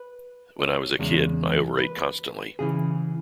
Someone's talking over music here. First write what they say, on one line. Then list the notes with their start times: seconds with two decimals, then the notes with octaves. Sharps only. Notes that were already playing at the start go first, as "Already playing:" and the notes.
When I was a kid, I overate constantly.
Already playing: B4
0.60 C#5
0.99 E2 C#3 G#3
1.78 B4
2.59 C#3 E3 G#4